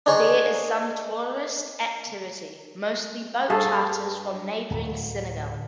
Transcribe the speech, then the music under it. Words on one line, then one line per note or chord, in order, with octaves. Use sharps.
There is some tourist activity, mostly boat charters from neighboring Senegal.
D4 D#4 G#4 C5 C#5
G2 G#4 A4 F5
D1